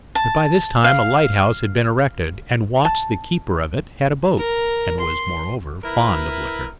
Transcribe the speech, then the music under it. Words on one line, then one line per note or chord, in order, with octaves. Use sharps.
But by this time a lighthouse had been erected, and Watts the keeper of it had a boat, and was, moreover, fond of liquor.
A5
F5
A5
A#4
C6
E4 A#4 B4